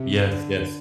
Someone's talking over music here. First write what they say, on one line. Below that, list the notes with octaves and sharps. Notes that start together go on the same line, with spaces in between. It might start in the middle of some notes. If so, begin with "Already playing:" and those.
Yes, yes.
Already playing: C3
D3